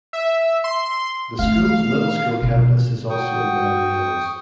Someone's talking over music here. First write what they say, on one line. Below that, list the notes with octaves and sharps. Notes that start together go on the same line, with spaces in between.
The school's middle school campus is also in Beverly Hills.
E5
C6
A3 D4 F5
B2 C#4
F#4 G5 C#6 D#6